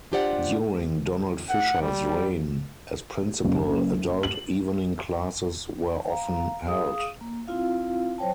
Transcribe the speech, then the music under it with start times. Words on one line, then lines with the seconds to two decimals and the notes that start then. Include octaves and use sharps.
During Donald Fisher's reign as principal, Adult Evening classes were often held.
0.12 D4 F4 G4 C5 D5 F#5
1.50 F#5
1.82 G3
3.45 F#1
4.23 F#7
6.08 F5 A#5
6.66 G#4 F5 D#6
7.21 A#3
7.48 C4 E4 F4 F5
8.18 F#3 C5 C#5 G5 A5